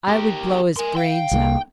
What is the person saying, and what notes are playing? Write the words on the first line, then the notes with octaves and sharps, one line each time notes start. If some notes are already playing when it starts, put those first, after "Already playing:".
'I would blow his brains out.'
G4 A#4
A#4 G#5 C6
F5 G5
C2 F3 A#3